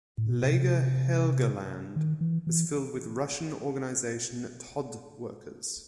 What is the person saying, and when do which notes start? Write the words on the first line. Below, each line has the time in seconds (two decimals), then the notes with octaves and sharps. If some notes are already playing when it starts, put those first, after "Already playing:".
"Lager Helgoland" was filled with Russian Organisation Todt workers.
0.18 A2
0.30 B2
0.43 C3
1.96 D#3
2.21 E3
2.47 E3